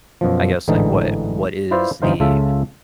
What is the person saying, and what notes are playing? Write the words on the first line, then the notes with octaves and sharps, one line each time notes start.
I guess, like, what what is the
F#2 B2 F3
A1 G#2 D3 E3 D#4
E4 F4 B4 C5 D5 E5
G1 G2 E3 D#4 C5 F5
C#2 C#3 F4 A4 E5